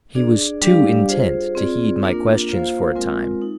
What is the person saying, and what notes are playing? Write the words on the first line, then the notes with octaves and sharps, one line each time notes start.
He was too intent to heed my questions for a time.
D4 G#4 D5
G3 D4 G4 D5 F5
F4 G#4 C5
C4 F4 G#4 D5
A#3 D4 F4 A#4
A#3 F4 C5 F5
G#3 C4 F4 A#4
D#4